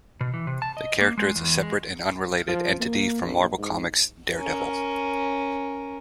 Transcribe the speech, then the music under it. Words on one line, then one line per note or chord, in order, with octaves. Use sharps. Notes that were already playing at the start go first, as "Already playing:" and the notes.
The character is a separate and unrelated entity from Marvel Comics' Daredevil.
B2
E3
C3
A5
D#5
A#3
G#3
E2
G#3
F3
A#3
A#1
G#2
C#4 A#4